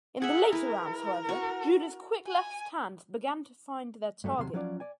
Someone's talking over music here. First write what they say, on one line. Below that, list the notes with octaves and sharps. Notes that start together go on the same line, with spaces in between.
In the later rounds, however, Judah's quick left hands began to find their target.
G#4 E5 F#5
E4 A#4 B4
F#4 C#6
G#5
G2 F#3 A3
D#2 C3 F#3 A4 C6
F3 F#3 C#4 F4 D5 F5
D5 G#5